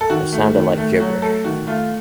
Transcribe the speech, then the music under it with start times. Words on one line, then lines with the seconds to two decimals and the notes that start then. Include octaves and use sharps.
It sounded like gibberish.
0.01 A4
0.10 D#3 F#4
0.32 A3
0.55 D#3
0.77 A3
1.00 F#3 F#4
1.22 A3 A4
1.44 D#3 F#4
1.67 A3 F4